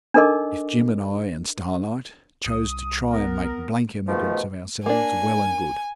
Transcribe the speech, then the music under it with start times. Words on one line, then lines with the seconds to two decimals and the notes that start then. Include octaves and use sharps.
If Jim and I and Starlight chose to try and make blank emigrants of ourselves, well and good.
0.14 D4 D#4 A4 A#4 D#5 D6
2.46 C2 D#6
3.12 B3 A#4
4.07 G#2 B2 D#3 F3 A3
4.86 A#3 D4 G#5